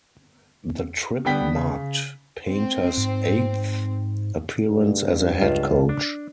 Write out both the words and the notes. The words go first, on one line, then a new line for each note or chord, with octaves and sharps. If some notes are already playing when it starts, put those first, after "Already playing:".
The trip marked Painter's eighth appearance as a head coach.
D3 G3 B3 G5 B6
C#3
C4
G#2
G2
C#2 F4 A5
D4